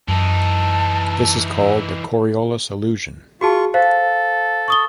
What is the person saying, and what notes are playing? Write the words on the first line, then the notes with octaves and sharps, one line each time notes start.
This is called the Coriolis illusion.
F#2 E3 D#4 A5
F4 F#4 G#4 A5 C#6
A4 C5 F5
C#6 D#6 G7